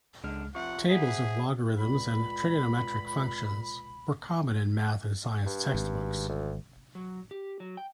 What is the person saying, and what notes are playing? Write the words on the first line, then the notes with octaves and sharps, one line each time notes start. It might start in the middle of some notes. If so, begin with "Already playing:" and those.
Tables of logarithms and trigonometric functions were common in math and science textbooks.
C#2 F#2 D3 G#3 D4 F6
F2 C3 F3 E5 F#5 C#6
G#4 C5 E5 F#5 B6
C#2 A#2 B5
G2
G#1
D2
F#3
G4
F#3
G5